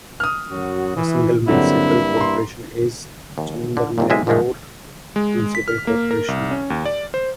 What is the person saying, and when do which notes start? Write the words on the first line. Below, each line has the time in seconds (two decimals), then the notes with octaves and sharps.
The single municipal corporation is Chandernagore Municipal Corporation.
0.20 D#6 F6
0.51 F#2 F#4
0.97 E3
1.48 G2 D3 F#3 A#3 C4 E4
2.17 A#5 C6
3.38 D#2
3.77 D3
3.98 G#1 D#2 A#2
4.10 B1 C3 G#3 E5 G#5
4.27 G#2 D3 F3 G#3 A3
5.16 G#3
5.55 B6
5.68 F6
5.87 A#3
6.11 A#4
6.28 C2
6.51 C#4
6.70 D#2
6.85 D5
7.14 C5